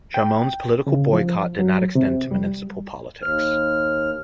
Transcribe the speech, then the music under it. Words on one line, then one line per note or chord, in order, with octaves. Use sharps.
Chamoun's political boycott did not extend to municipal politics.
G5
C#3
F3
F#3
C3
G3
D#2 F6